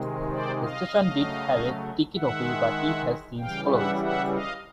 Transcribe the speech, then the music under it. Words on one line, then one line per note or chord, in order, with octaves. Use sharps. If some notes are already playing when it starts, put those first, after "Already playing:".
The station did have a ticket office but it has since closed.
Already playing: C3 D#3 G#3
C5 D5
D#5 F5
C#3 F#3 A3
D#3 G#3 E5 F#5
C#3 E3 G3 F5 G5
E5 F#5
E5 F#5
D#5 F5